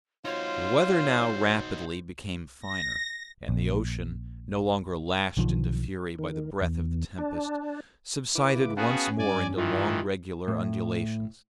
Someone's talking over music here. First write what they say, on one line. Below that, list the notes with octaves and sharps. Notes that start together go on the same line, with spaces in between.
The weather now rapidly became finer, and the ocean, no longer lashed into fury by the breath of the tempest, subsided once more into long regular undulations.
D#4 F4 F#4 C5 C#5
A#6
A#1
B1 D3 D#3 F3
D#3
E2
D4
C#3 E4 B4 D6
B3 C#4 F#4 G#4 F5 G5 A5
G2 D5 G#5
D#3 E3 F4
A2